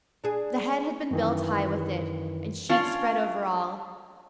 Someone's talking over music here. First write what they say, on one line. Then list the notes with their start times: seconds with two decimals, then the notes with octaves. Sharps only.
The head had been built high with it, and sheets spread over all.
0.24 D4 G#4
1.11 F#2 D#3 E3
2.69 C#4 D4 F4 F5